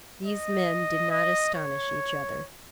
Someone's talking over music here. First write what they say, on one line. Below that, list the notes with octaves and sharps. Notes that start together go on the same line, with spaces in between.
These men did not astonish each other.
D#5
D#5
C#5